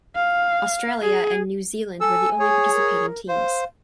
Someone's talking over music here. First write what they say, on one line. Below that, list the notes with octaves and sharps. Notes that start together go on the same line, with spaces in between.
Australia and New Zealand were the only participating teams.
F5
G#4
A4 G#5 E6
G#4 C#5
A#4
C5 F5